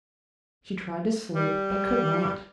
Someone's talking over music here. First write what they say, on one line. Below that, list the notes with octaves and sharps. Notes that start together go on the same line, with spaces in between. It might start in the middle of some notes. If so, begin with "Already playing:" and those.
She tried to sleep, but could not.
G3